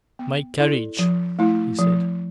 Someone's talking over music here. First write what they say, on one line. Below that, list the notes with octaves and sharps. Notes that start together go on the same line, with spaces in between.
"My carriage!" he said.
B3
E4 A4 D5
F3
A3 E4
F3